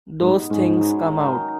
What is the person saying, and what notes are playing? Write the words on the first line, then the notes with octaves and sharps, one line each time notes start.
Those things come out.
G#2 B3 D#4
B3
G#2 G#3 C#4
F#3 B3
G#3
F#3
D#3